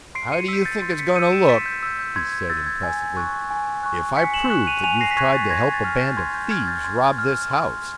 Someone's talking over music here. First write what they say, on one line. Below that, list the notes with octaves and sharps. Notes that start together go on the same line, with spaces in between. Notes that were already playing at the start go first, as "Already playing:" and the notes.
"How do you think it is going to look," he said, impressively, "if I prove that you've tried to help a band of thieves rob this house?"
C6 C7 D7
C#7 D#7
E6 G6 B6 C#7
G6 A6
C6 G6 A6
B6 C#7
E6 G6 C#7 D#7
D7 E7
C6 A6 B6
G6 A6
E6 G6
G6
C6 G#6
G#6
E6 G6 A6
G#6
G#5 G#6
C#6 F#6
G#5
C#6 F#6
G#5 B6 C#7
E7 F#7
C#6 F#6
D#7 F7
G#5 D#7 F7
A#6 C7
B6
C#6 F#6 G#6 A#6
A6 B6
C6 G#6 A#6
A6
F6 G#6 A#6
G6 A6
C6 G#6
G6
F6 G#6
G6 A6
C6 G#6
F6
C6